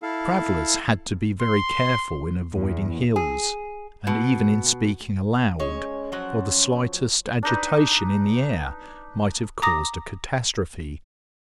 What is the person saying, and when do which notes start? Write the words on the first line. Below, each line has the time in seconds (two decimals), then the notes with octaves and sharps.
The travellers had to be very careful in avoiding hills, and even in speaking aloud, for the slightest agitation in the air might have caused a catastrophe.
0.03 E4 A4 F5
1.40 C6
2.53 E2
3.16 G#4
4.07 B2
5.60 G#3 C#4 C#5
6.12 F3 F#3 F#5
7.43 D4 D#4 B4
9.62 A#5 D6 D#6 A#6